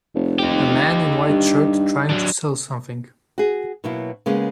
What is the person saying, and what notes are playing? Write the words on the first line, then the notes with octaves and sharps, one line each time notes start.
A man in white shirt trying to sell something.
F1
D#4 G4
G2
F#3 D4
F#4 G#4
B2 F#3 A#3 E4
C#3 G#3 A#3 B3